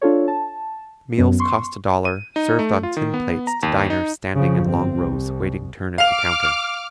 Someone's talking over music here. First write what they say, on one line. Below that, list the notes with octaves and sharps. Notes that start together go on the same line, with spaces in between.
Meals cost a dollar, served on tin plates to diners standing in long rows waiting turn at the counter.
D4 F4 A4 C#5
A5
F#2 B3
C6 C#6
D#7
D#4
A3
F4
D#3
B3
A#5
D#2
D#4
C#3 F3
G1 C4
C2
F5 D6 F6 F7